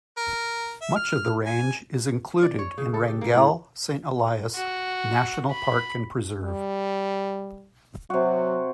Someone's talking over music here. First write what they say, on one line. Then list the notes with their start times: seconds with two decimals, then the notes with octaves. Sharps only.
Much of the range is included in Wrangell-Saint Elias National Park and Preserve.
0.17 A#4
0.81 E5
0.96 F6
1.46 G#5
2.43 D5
2.59 C#5
2.78 C#3
2.94 A4
3.08 G4
3.21 A#3
3.35 A2
4.55 F#4
5.50 B5
6.43 G3
8.10 C3 F#3 F#4